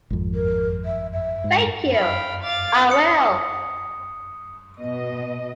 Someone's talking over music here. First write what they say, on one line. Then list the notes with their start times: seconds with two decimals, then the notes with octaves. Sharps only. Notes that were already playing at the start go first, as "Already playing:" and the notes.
Thank you, I will.
0.10 G#1 F2
0.34 A#4
0.85 E5
1.13 E5
1.44 G#2
1.93 F5 G5 B5
2.42 F5 D6 A6
2.90 D#6 C#7
4.79 B2 D#5